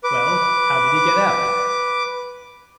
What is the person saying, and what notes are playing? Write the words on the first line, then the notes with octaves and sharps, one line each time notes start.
"Well, how did he get out?"
B4 D6